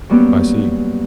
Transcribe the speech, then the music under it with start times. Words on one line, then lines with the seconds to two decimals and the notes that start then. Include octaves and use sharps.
I see.
0.09 F#3 G3 A#3 B3 C#4 G4